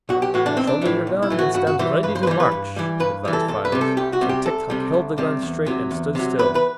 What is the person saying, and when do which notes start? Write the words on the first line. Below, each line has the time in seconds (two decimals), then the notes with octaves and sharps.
"Shoulder your gun and stand ready to march," advised Files; so Tik-Tok held the gun straight and stood still.
0.09 B1 F#4
0.22 G4
0.34 A2 E3 F#4
0.46 D4
0.57 B1 C4
0.67 D4
0.82 A2 E3
1.07 B1
1.22 E4
1.30 A2 E3
1.39 F#4
1.54 G2 F#4
1.67 F#4
1.79 E3 G3 C5
2.03 G2 B4
2.16 C5
2.23 B4
2.27 E3 C5
2.31 G3
2.40 B4
2.52 G2
2.76 E3 G3
3.00 G2 B4
3.25 E3 G3
3.33 A4
3.48 C2 A4
3.65 B4
3.72 C3 G3
3.81 A4
3.97 C2 G4
4.13 F#4
4.21 C3 G3
4.29 G4
4.46 C2 A4
4.70 C3 G3
4.94 C2
5.18 C3 G3
5.42 E2
5.66 C3 F#3
5.91 E2
6.15 C3 F#3
6.39 E2 B4
6.55 B4